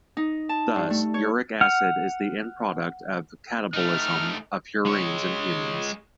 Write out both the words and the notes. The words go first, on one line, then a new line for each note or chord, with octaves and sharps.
Thus uric acid is the end product of catabolism of purines in humans.
D#4
A5
G2
A3
C#5
F#5 F6
A3 D#4 F6
G#3 C#5